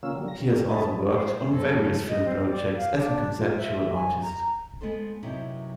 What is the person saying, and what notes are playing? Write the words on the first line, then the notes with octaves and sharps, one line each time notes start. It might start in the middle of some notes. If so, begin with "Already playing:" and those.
He has also worked on various film projects as a conceptual artist.
C#3 A#3 C#4 F4 E6
D3 F#3 G3 A#3
A#6
C#3
G#2 G3
G#4 A4 B4 D#5 A5
C5
F#2 A4
D#5
C4
D5
F5
D4
F4
E5
E5
G#5
A#5
G#3 B3 D#4 A4 C5
F#2 C3 F#3 B3 D#4 E4